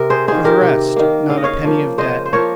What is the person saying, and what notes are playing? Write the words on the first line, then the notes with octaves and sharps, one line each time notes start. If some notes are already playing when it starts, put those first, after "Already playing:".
For the rest, not a penny of debt.
Already playing: C3 A#4
G#4 C5
D#3 A#3 G#4 C5
G4 A#4
C3
D#3 A#3
C#3 F5
D#5
C#5 F5
F3 A#3
C#3 C5 D#5
C5
F3 A#3 A#4 C#5